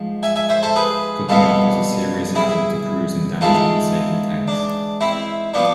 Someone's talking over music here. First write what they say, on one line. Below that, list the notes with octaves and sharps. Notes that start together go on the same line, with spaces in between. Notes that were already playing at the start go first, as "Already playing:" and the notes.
Cooking off is a serious hazard to crews in damaged and disabled tanks.
Already playing: G#2 F3
E5 G#5
E5 G#5
C5 E5
A4 C5
G#4 B4
C2 B2 B3 F4 A4
E4 G#4
G#2 E3 G#3 F4 A4
D4
C4 E4
F3 B3 D4